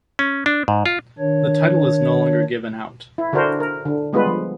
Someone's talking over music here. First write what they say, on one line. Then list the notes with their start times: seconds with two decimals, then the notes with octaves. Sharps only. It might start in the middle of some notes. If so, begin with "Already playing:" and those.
The title is no longer given out.
0.19 C#4
0.46 D4
0.68 G#2
0.86 F4
1.19 D#3 D4 C#5
3.18 E4
3.33 D3 D4 F#4 A#4 C5
3.60 A#4
3.85 D3
4.13 G3 G#3 B3 F4 B4
4.26 F3